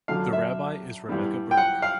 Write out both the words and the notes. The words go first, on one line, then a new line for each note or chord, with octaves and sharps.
The Rabbi is Rebecca Birk.
F#2 D3 F#3 A3 F5
E5
G2 E3 G3 B3
G5
F#5
F5